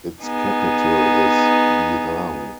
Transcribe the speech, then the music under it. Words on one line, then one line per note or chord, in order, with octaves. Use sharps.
Its capital is Birao.
B3 D#4 G#4